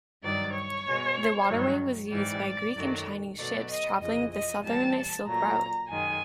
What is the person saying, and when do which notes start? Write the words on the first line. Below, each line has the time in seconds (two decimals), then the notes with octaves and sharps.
The waterway was used by Greek and Chinese ships travelling the southern Silk Route.
0.22 G2 D#3 F#3 D5
0.54 C#5
0.86 B2 G#3
1.49 G2 D#3 F#3
2.11 G#2 E3 G3 D5
2.75 F#2 D#3 F#3 A3
3.38 B2 F#3 A3 D5
3.69 D#5
4.00 F2 C#3 E3 D#5
4.32 D#5
4.64 A2 E3 G3 A#3 A5
5.27 A#2 F#3 A3 A#5
5.90 F#2 D#3 G#3 G#5